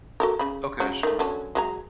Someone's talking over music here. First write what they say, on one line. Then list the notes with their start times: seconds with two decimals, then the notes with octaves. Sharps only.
Okay, sure.
0.20 F#4 A4 A#4
0.39 C#3 B5
0.80 C#3 F#3
1.03 D#3 A3
1.19 D3 F#3 C#4
1.55 F#3 G#3 A#5